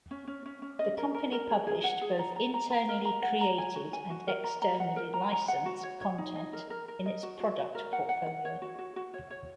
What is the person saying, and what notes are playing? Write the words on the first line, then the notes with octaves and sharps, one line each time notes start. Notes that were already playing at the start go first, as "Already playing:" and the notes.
The company published both internally created and externally licensed content in its product portfolio.
C#4
C#4
C#4
C#4
D#5
A#4
A#4
A#4
G#4
G#4
F#5
G#4
A#5
A#5
A#5
A#5
A#4
A#5
F#5
A#5
G#5
F#4
G#5
F#4
A#4
A#5
A#5
F#5
A#4
A#5
A#5
F#5
F#4
C#5
C#5
D#4
D#5
A#4
A#4
A#4
D#5
F#4
F#4
F#4
A#4
F#5
F#5
F#5
C#5
F#4
F#4
F#4
C#5
C#5